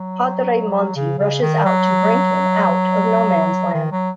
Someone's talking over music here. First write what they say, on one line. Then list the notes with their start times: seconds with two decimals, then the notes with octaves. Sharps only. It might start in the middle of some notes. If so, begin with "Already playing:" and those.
Padre Monty rushes out to bring him out of No Man's Land.
Already playing: F#3
0.96 C#3
1.18 C#3
1.42 D#3
1.65 F#3
3.74 D#3
3.92 F#3